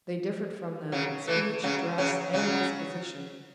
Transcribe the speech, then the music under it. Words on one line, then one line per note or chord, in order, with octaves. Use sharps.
They differed from them in speech, dress, and disposition.
C#3 F#3
E3 A3
C#3 F#3
C#3 F#3
C#3 F#3